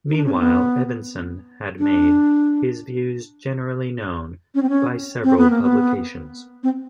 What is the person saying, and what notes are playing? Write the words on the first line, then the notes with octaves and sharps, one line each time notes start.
Meanwhile, Evanson had made his views generally known by several publications.
D#4
D4
C#4
C4
B3
D4
C#4
C4
C#4
C4
B3
A#3
B3
C4